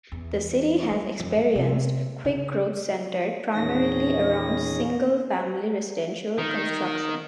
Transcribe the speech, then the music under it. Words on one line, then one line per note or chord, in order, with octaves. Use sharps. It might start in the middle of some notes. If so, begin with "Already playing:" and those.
The city has experienced quick growth centered primarily around single-family residential construction.
E2
G3
F2
G2
C3
C#3
E2 A#2 D#3 C#4 G#4 A#6
D#3